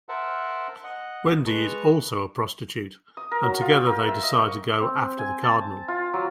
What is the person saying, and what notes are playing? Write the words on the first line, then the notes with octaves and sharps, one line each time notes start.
Wendy is also a prostitute and together they decide to go after the cardinal.
A#4 C5 E5 F#5 A5
D#5 F#5
G#3 B4 A5 A#5 C#6
D#6
A#4
F#3
F4
G5
A#4
E5
D#5
C#6
C4
G#5
A5
F4
F#3